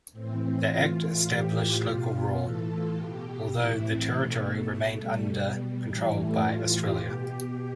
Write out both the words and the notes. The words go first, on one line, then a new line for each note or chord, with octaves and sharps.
The Act established local rule, although the territory remained under control by Australia.
A2 E3 C4
A2 E3 F4
A2 E3 G4
F4
B2
F4
A2 E3 A4
F4
B2 G4
A2 E3 E4
C4
B2 A3
A3
B2
G3
B2
A2 E3
A3
A2 E3 F4
G4
B2